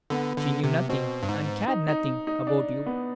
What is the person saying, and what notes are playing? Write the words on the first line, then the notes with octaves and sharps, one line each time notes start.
She knew nothing, and cared nothing, about you.
D3 B3
D3
C3
B2 C4
G2
G#2
D#4
D#4
D#4
D4
B3